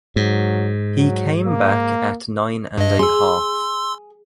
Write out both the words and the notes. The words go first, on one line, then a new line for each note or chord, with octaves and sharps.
He came back at nine and a half.
G#2 F#3
F#3
A#3
G2 D#5
G#4 C6 E6